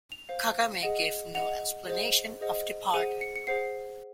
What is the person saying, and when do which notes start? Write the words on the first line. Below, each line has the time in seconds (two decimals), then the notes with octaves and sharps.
Kagame gave no explanation of the pardon.
0.12 F7
0.29 C5 F5
0.82 G#4 D#5 F#5
1.35 G#4 D#5 F#5 F7
1.87 G#4 C5 D#5 F#5
2.41 G#4 C5 D#5 F#5
2.94 G#4 C5 F#5 D#7
3.21 C#7
3.36 C#7
3.47 G#4 C5 F#5 C7